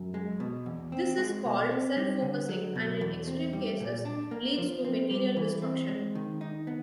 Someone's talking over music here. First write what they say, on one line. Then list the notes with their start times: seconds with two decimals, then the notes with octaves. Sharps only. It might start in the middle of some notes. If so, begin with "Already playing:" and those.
This is called self-focusing and in extreme cases leads to material destruction.
Already playing: F#2
0.14 G#3
0.40 B2
0.66 E2
0.92 C4
1.18 G#3
1.45 B2
1.71 C4
1.96 G3
2.22 D3
2.49 F#3
2.75 B2
3.01 E2
3.27 C4
3.53 G3
3.80 A#2
4.05 D4
4.31 A#3
4.58 F3
4.85 C4
5.11 G3
5.37 E3
5.62 C4
5.88 G#3
6.15 D#3
6.41 D#4
6.67 B3